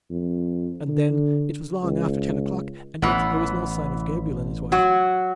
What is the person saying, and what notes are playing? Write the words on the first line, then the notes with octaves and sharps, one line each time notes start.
And then it was long after ten o'clock and yet there was no sign of Gabriel and his wife.
F2
D3
C#2
A1 E3 B3
F#3 F#4